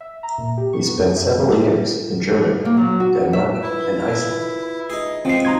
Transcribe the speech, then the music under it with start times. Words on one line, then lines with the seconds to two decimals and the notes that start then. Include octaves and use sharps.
He spent several years in Germany, Denmark and Iceland.
0.01 E5
0.23 A#5
0.38 A#2
0.58 G4
0.73 C#6
0.86 B3
0.99 F#2
1.17 E5
1.42 G3
2.65 A#3
2.77 F#3
3.00 F#4
3.33 E5
3.63 E4 F4 B4
4.90 D#4 G#4
5.25 F3 G#3 C4 C7
5.45 D#4 F#4 A#5 C6 G#6